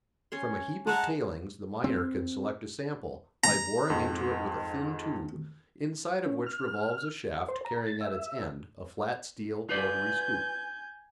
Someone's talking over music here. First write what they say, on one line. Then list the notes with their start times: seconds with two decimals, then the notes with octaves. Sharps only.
From a heap of tailings the miner can select a sample, by boring into it with a thin tube, inside of which revolves a shaft carrying at its end a flat steel rotary scoop.
0.32 C#4 C#5 C6
0.87 G#3 E5 F#5 A5 A#5
1.84 C4
3.44 A#5
3.90 F2 G#2 G#3
6.26 C#4
6.46 F6
7.49 C5
7.65 A#5
7.86 A6
8.01 E5
9.69 F4 B4 D5 G#5 G6